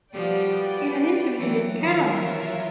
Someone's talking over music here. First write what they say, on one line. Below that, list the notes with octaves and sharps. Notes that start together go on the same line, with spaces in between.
In an interview with Kerrang!
F3 G3 F#4 B4 D5 G5
E3 F#3
D#3 F3 F4 A#4 C#5 E5
E3 F#3